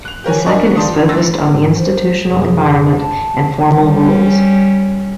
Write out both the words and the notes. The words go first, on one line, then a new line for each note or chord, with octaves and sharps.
The second is focused on the institutional environment and formal rules.
F#6 F7
G4 A#4 C#5 G#5
D4 A#4 D5 D#5 G#5 C#6
F4 G4 D5 A5 C6 D#6
G2
D2 E3 C6 E6 A6 A#6
G#2
F#3 C5
F#2 C3 G#4
A5
G3 C#4